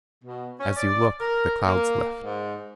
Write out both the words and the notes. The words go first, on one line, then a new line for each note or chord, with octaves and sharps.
As you look, the clouds lift.
B2
C#4
D5
A#4
A#3
G#2